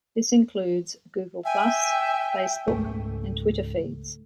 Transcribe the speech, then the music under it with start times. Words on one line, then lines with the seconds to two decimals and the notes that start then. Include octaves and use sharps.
This includes: Google Plus, Facebook, and Twitter feeds.
1.45 E5 G5 G#5
2.68 C#2 G#2 A3